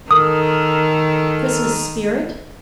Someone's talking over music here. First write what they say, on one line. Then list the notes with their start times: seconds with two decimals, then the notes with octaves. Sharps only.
Christmas spirit?
0.11 D#3 A4 A#4 D#6